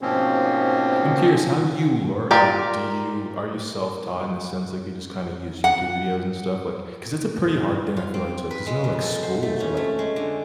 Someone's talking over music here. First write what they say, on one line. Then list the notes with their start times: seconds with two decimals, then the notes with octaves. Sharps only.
I'm curious, how do you learn like, do you are you self-taught, in the sense, like, you just, kinda, use YouTube videos and stuff, like 'cause it's a pretty hard thing, I feel, like to 'cause, you know, like, schools are, like
0.01 G#2 B2 F3 A#3 C4 C#4
2.31 F4 G4 A#4 D5
5.64 F#5
7.97 F4
8.14 C4
8.51 B4
8.66 G#3
8.84 F2
9.02 A4
9.23 C5
9.43 A3
9.60 C#4
9.77 A3
9.99 G#3
10.16 D3